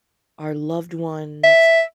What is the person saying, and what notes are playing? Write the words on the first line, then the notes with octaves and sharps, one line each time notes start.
our loved ones
E5